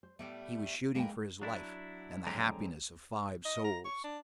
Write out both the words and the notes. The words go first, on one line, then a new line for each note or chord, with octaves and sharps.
He was shooting for his life and the happiness of five souls!
C5
A2 G3 A3 B3
G#3 A#3 A#4 B4 G5
F#3 D4 E4
F2 D3 F#3 G#3 G5 A#5
D#5
A#5
C#6
D4